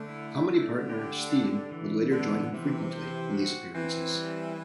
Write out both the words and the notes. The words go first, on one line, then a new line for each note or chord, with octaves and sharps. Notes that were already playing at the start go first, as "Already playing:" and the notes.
Comedy partner Steen would later join him frequently in these appearances.
Already playing: D3 A3
E4
D3 A3
G4
D4
E3
D3 B3
C3 E3
C5
F#4
E3 C4
G3